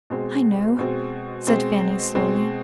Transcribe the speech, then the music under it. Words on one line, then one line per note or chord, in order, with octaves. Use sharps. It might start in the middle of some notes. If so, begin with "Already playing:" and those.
"I know," said Fanny slowly.
B2 G#3 C4
B2 G#3 C4
B2 G#3 C4
B2 G#3 C4